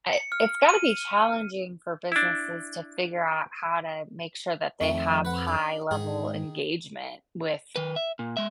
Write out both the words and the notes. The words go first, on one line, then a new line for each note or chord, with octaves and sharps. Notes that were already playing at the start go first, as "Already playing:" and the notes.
i I It's gotta be challenging for businesses to figure out how to make sure that they have high-level engagement with
C#7
F6
D#7
D4 E4
F2 D#3 A3 C#6
B4 F#5
D4
G#2 D#3 G#4
D#3 B4
E5
A#2
G#3 E5